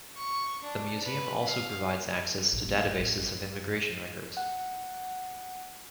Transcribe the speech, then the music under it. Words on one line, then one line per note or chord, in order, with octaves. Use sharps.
The museum also provides access to databases of immigration records.
C#6
D4
B4
F5
A1
B3
D#4
A1
F#5